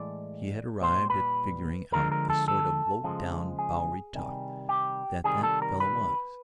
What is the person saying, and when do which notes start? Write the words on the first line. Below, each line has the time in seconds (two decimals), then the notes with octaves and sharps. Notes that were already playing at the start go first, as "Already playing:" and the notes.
She had arrived at figuring out the sort of low-down Bowery tough that that fellow was.
Already playing: A2 E3 G#3 D5
0.81 A#2 G3 C5
1.10 B4
1.92 D3 F3 G#3 A#4
2.12 A#4
2.30 A4
2.48 A4
3.04 C#3 F3 G#3
3.59 G#4
4.14 C3 D#3 G3
4.69 G4
5.24 C3 D#3 G3 G#4
5.43 A4
5.62 A#4
5.80 B4